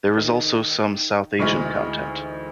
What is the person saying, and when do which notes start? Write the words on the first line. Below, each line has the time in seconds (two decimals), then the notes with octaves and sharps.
There is also some South Asian content.
0.17 D#3
1.39 D2 D#3 E3 G#3 C#6 F6